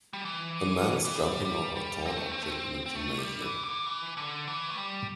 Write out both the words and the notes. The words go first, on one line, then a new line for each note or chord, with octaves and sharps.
A man is jumping over a tall object in a gymnasium.
G3
E3
E3
G3
G3
G3
C4
A3
C4
A3
C4
C4
A3
G3
E3
D3
E3
D3
E3
A3
G3